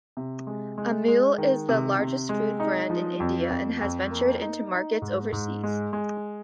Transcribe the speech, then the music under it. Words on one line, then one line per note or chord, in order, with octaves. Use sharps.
Amul is the largest food brand in India and has ventured into markets overseas.
C3
G#3
G#3
G#3
D#3
C3
C3
G#3
D#4
F3
F2
F2
F2
A#3
D#4
D#4
G#2
G#2
G#3
G#3